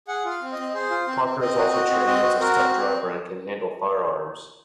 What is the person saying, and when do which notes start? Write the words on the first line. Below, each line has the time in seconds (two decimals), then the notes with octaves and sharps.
Parker is also trained as a stunt driver and can handle firearms.
0.08 G#4 F#5
0.25 F4
0.30 F5
0.42 C4
0.52 D#5
0.58 C4
0.74 G#4 C5
0.90 F4
1.07 C4
1.24 C4
1.40 C4 D#5
1.57 F#4
1.73 F#4
1.91 C4
2.07 C4 D#5
2.23 F#4
2.41 F#4 A#4
2.57 C4